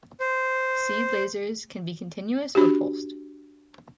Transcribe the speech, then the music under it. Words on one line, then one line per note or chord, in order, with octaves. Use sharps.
Seed lasers can be continuous or pulsed.
C5
D4 F#4 G4